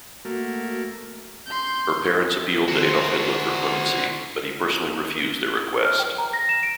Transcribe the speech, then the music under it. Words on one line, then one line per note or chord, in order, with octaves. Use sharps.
Her parents appealed to Adolf Hitler for clemency, but he personally refused their request.
A3 A#3 F#4
C6 G6
F#4 C5
F6
G5
A#5
A#6
E7
D7